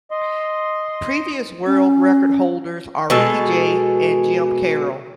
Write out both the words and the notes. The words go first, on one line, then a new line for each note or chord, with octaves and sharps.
Previous world record holders are Ricky Jay and Jim Karol.
D#5 C6
C#4
B2 G#3 A4